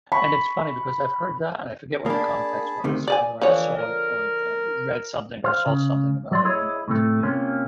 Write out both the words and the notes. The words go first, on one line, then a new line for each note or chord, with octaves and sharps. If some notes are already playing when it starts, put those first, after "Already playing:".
And, it's funny because I've heard that, and I forget what the context was, whether I saw it on or read something or saw something about it on on TV,
B5 C#6
A#3 D4 G#4 A5 B5
D2 C3 D#3
D5 D#5 G#5
D3 E3 F3 C#5
A#4
C5 F5
C#3
F#3 D5 C6
E4 G#4 C#5 D#5
A2 C3 A3
C3 A#3 C#4 F4